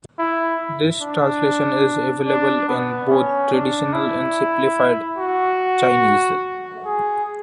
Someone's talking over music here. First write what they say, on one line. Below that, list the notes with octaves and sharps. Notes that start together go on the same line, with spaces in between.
This translation is available in both traditional and simplified Chinese.
E4
D4
D4
B3
C#4
D4
E4
F#4
G#4